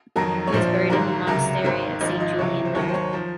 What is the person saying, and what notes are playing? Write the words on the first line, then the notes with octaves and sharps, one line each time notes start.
He was buried in the monastery of Saint-Julien there.
F2 D#3 F#3 A#4
C#5
A#1 A#2 F3 C5
G#1 G#2 F#3 A#4
C#2 C3 F#3 A#4
G#1 G#2 D#3 C5
G#1 G#2 F3 D#5
D#5
C#2 C3 F#3 C#5
C5
D#2 D#3 F#3 C#5
C5
C#5
F3 C5